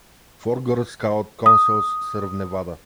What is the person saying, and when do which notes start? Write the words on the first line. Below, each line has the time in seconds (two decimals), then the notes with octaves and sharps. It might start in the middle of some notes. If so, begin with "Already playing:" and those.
Four Girl Scout Councils serve Nevada.
1.46 D#6